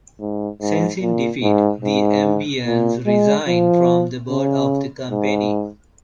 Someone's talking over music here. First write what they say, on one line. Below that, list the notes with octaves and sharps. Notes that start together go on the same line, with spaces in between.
Sensing defeat, the Ambanis resigned from the board of the company.
G#2
G#2
A#2
G#2
G#2
A#2
G#3
F3
C#3
G#2